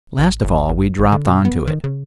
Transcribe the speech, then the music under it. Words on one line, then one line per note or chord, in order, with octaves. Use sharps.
Last of all we dropped on to it.
A1
G1
G#1
G#1
D3
B2
B3
D#3
C#3